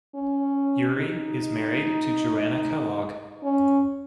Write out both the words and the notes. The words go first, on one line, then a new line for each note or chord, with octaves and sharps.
Uhry is married to Joanna Kellogg.
C#4
D#4
C#4